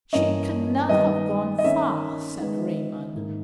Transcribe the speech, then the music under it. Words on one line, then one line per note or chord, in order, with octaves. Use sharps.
"She could not have gone far," said Raymond.
G2 E3 A#3 C#4 D#5
D#3 G3 B3 D#5
D#5
D#3 A#3 C#4 E5
D#3 G#3 B3
G#2 D#3 A#3